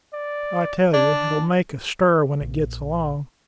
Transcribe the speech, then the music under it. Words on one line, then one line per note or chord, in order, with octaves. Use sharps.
I tell you, it'll make a stir when it gets along.
D5
D4 D5 A5
A#1